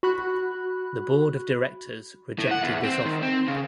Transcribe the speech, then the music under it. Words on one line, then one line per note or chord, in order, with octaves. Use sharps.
The board of directors rejected this offer.
F#4 B5 F#6
A2
F#5
E2
C4
D#3
C4
C#3